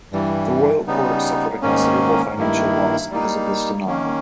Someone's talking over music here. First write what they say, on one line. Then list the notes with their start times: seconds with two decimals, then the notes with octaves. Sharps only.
The Royal Court suffered a considerable financial loss because of this denial.
0.13 G2 E3 G3
0.87 C#3 G3 B3 D#4
1.62 G#2 D#3 A#3 C#4
2.37 G2 D#3 A#3 E4
3.11 G3 A#3 D#4
3.86 D#3 A#3 C#4